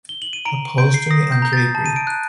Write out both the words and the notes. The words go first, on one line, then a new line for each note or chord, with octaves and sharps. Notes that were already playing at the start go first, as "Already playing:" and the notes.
Upholstery and drapery.
G7
F#7
D#7
A#5 D7
G6 D7
C7
D#6 A#6
G6
A#5 G6
A6
A5
D#7
D7
F#6